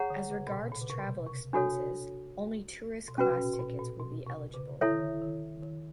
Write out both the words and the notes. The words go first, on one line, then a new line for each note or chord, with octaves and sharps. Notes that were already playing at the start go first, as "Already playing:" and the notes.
As regards travel expenses, only tourist class tickets will be eligible.
Already playing: G#4 C#5 F#5 A#5
D3
C#3
A#2
B2
A#2
C#3
C3
B2
C3
C3 D4 F#4 A4 C#5
B2
C3 C#4 F#4 B4
A#2
B2
A#2
A#2
B2
C3
C#3
D3 E4 A4 C#5 E5
D#3
D3
D#3
D#3